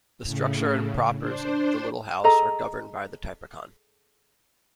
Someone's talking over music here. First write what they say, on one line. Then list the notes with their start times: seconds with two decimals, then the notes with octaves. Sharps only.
The structure and propers of the Little Hours are governed by the Typicon.
0.22 A2 C#3
1.17 D4 C5
2.24 G#4 A4 D#5 A#5